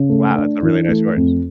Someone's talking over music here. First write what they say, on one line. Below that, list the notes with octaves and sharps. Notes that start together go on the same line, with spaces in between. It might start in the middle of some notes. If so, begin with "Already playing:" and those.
"Wow, that's a really nice horse."
Already playing: C#3
A3
D4
E3
A3
F2